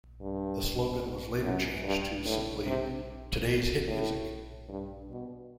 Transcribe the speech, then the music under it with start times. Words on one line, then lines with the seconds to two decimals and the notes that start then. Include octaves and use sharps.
The slogan was later changed to simply "Today's Hit Music".
0.21 G2
1.43 F#2
1.84 G2
2.25 A2
2.66 C3
3.87 A2
4.69 G2
5.11 B2